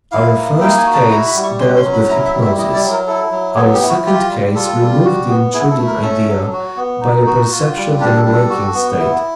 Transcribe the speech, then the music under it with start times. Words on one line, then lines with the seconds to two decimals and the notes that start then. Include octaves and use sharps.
Our first case dealt with hypnosis, our second case removed the intruding idea by a perception in a waking state.
0.12 E4 F5
0.36 A#3
0.61 D#4 G5
0.77 G#5
0.86 F#4
0.94 A5
1.10 E4 A#5
1.26 B5
1.34 G3
1.43 C#6
1.59 C#4 C6
1.76 C6
1.84 F#3
1.93 B5
2.09 E4 A#5
2.25 E5
2.33 G3
2.41 E5
2.58 E4 D#5
2.74 D5
2.83 F#3
2.91 A#4
3.07 E4 A4
3.31 F#3
3.56 B3 G#4
3.73 G4
3.82 E4
3.89 F#4
4.06 F4 G4
4.30 G3
4.55 F4 A4
4.79 G3
5.05 F#4
5.29 B3
5.53 E4 G#4
5.70 A4
5.79 A3
5.86 A#4
6.02 C#4 A4
6.28 F#3
6.53 F#4
6.77 B3
7.01 D#4
7.27 F#4
7.51 F4
7.76 G3
8.00 D4 G4
8.16 A4
8.25 G3
8.33 A4
8.50 F#4
8.74 B3
8.99 E4